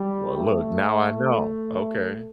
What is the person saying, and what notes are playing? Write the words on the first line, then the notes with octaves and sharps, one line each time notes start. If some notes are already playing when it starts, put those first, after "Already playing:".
Well, look, now I know. Okay.
Already playing: G3
A3